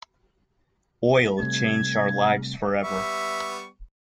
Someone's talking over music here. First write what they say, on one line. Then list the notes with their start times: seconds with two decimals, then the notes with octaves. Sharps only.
Oil changed our lives forever.
1.40 C3 G3 A3 G#6
2.84 G3 B3 E5 C#6